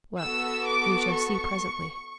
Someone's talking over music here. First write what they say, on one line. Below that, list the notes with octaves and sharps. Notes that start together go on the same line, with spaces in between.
Well, we shall see presently.
B3 F#4 A4 E6
D6
C#6